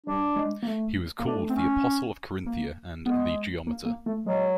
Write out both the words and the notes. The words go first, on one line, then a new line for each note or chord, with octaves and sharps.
He was called "the Apostle of Carinthia" and "the geometer".
G3 D4
G#3
A#3
A3
A#3
A3 D4
C4
C#4
A#3
G#3 B3
A#3
A#3
A3
F#3 G#3